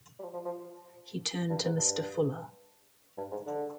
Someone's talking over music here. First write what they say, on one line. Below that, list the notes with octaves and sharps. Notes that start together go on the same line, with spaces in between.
He turned to Mr. Fuller.
G3
F3
F3
F3
G2
G#2
G2
G2
G#2
D3